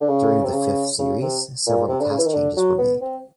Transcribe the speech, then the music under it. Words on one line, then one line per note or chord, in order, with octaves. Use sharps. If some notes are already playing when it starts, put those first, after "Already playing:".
During the fifth series, several cast changes were made.
D3
C#3
C3
C#3
C#3
C3
A#2
C3
D3
C#3
E3
D#3
D3
F#3
B3
C4